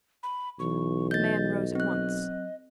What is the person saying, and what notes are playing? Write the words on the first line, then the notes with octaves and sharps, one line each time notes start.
The man rose at once.
B5
B1 E3 C#6
D#5 G6 A6
F#3 C4 F#6